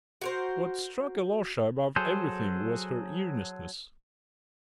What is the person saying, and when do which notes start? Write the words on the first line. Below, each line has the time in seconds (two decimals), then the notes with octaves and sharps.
What struck Alyosha above everything was her earnestness.
0.21 F#4 A#4 C5
1.96 F#3 G#4 A4 C5